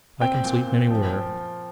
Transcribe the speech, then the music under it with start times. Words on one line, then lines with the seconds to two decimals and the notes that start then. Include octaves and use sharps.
'I can sleep anywhere.
0.21 C4 G5
0.44 A#2
0.67 A#2
0.91 F3
1.13 F3